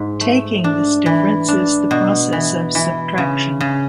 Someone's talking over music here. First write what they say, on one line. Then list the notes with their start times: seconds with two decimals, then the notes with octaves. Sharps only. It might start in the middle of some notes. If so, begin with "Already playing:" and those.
Taking this difference is the process of subtraction.
Already playing: G#2
0.21 A3
0.64 D4
1.06 E3
1.48 D4
1.91 B2
2.33 E3
2.75 E3
3.18 C#3
3.60 C#3